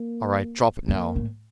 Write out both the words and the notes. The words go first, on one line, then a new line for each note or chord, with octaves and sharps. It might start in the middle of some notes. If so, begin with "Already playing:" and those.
All right, drop it now.
Already playing: A#3
F2 A#3
A2